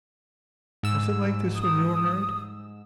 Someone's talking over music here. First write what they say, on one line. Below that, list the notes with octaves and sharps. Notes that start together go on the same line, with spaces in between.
"Was it like this when you were married?"
G#2 E6
D#6